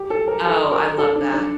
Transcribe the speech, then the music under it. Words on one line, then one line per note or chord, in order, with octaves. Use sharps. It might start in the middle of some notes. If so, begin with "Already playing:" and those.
Oh, I love that.
Already playing: G4
A4
A#4
A4
A#4
A4
D4
D4